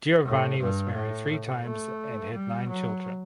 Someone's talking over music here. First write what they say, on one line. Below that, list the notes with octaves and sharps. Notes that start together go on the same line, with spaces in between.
Giovanni was married three times and had nine children.
A2
G2
A2
A3
G3
F#3